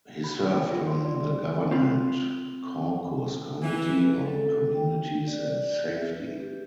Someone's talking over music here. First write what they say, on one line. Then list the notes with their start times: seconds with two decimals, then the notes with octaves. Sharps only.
He served on the Government Caucus Committee on Communities and Safety.
0.24 B5
0.39 G4
0.57 G5
0.72 F4
0.87 C6
1.05 D5
1.19 G#4
1.71 C4 F4 B5
3.62 E3
4.25 A4
4.74 G5
5.27 D5
5.97 E5
6.14 B4
6.40 G4